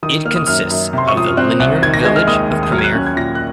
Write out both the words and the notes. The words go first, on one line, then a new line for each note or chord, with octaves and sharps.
It consists of the linear village of Premier.
D#3 D#6
A#3 F6
D#6
F#2 F6
F#2
C3 C6
C#6
F3 D#6
F6
C4 F#6
C2 F#6
D#3 G#6
A#6
G#3 G#6
F6
D#2 D#6
D#2
D#6
F#3 F6
G#6
F#6
C#4
G#6
A#2 A#6
F#6